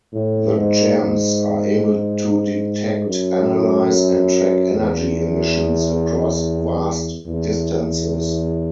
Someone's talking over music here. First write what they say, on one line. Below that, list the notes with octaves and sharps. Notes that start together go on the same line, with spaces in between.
The gems are able to detect, analyze, and track energy emissions across vast distances.
A2
G#2
G#2
F#2
E2
E2